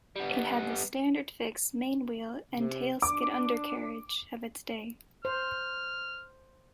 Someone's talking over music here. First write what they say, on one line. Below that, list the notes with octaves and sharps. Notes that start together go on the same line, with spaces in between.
It had the standard fixed main wheel and tail-skid undercarriage of its day.
G3 B3
C3
D4 D6
C5 F6